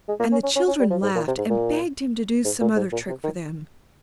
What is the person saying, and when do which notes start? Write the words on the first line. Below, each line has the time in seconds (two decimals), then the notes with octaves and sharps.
And the children laughed, and begged him to do some other trick for them.
0.08 G#3
0.20 A#3
0.32 C#4
0.43 C#4
0.56 C#4
0.68 C#4
0.79 G3
0.91 F3
1.03 G#2
1.15 A#2
1.27 C3
1.38 G#2
1.50 A#2
2.45 G#2
2.61 A#2
2.76 G#2
2.92 A#2
3.08 C3
3.24 D#3